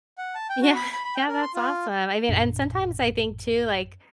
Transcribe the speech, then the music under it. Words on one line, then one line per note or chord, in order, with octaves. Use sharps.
Yeah. Yeah. That's awesome, I mean, and sometimes I think too, like,
F#5
A5
G5
F#4
B5
B5
B5
G5
A#4
C6
F4
A1 F#2 A#2 D4